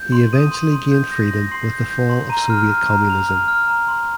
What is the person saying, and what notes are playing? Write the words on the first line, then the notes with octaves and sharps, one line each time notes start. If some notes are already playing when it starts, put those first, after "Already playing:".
He eventually gained freedom with the fall of Soviet Communism.
Already playing: G6
C6
D#6 D#7
C6
C6
G6
G6 A#6
G6
C6 A#6
A#6
C6 C7
G6
G6
C6
A#5 D#7
F6
F6
A#5
A#5 F7
F6
F6
A#5
C6